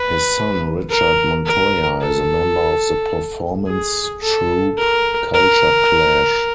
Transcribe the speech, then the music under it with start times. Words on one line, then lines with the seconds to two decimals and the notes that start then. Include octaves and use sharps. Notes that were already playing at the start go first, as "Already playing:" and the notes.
His son Richard Montoya is a member of the performance troupe Culture Clash.
Already playing: B4
0.90 A#4
1.46 A#4
2.01 A4
3.67 G#4
4.22 A4
4.78 A#4
5.34 A#4